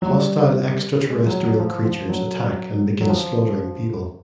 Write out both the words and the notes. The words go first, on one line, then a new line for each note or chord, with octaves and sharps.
Hostile extraterrestrial creatures attack and begin slaughtering people.
F#3
G3
G#3
F#3
F#3
F3
F3
F#3
F#3
F3